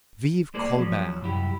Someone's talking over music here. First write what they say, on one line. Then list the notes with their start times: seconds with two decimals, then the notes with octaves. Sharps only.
Vive Colbert!
0.54 G#3 A#3 G#4 C5 D5
0.79 F3 F#3 C#4
1.21 C2 F#2 E4 G4